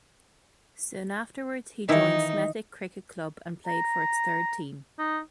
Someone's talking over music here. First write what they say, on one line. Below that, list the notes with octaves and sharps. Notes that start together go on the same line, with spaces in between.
Soon afterwards, he joined Smethwick Cricket Club and played for its third team.
D#3 E3 D#4 E4
A#5
D#4